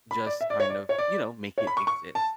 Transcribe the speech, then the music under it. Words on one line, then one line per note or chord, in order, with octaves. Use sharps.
just kind of, you know, make it exist.
B5
D5
E5
D5
C#5
D5
C#5
D5
C#5
B5
C#6
C#6
A5